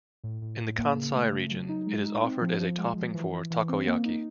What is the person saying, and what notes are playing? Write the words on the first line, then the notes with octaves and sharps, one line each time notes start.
In the Kansai region, it is offered as a topping for "takoyaki".
A2
A2
A2
A#3
C#3
A3
C#3
F#3
D#4
G#3
D#4
C4
F3
F3
G#3
F3
E3
E3
E3
C4
A#3
D#4